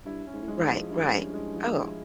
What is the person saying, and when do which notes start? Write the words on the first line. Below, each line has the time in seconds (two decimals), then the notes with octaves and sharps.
Right, right. Oh,
0.06 G2 E4
0.27 C#4
0.33 G#2
0.42 A2
0.48 G#2 G#3
0.63 G#2
0.69 F3
0.90 G2 E4
1.12 C#4
1.34 G#3
1.54 F3
1.76 E4